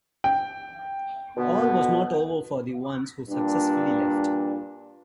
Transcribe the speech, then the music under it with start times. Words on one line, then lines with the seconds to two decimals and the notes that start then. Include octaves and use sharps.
All was not over for the ones who successfully left.
0.24 G5
1.37 B2 D3 B3
3.30 G2 A#2 D4